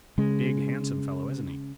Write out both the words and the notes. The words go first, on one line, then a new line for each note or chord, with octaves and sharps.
Big, handsome fellow, isn't he?
C#3 G#3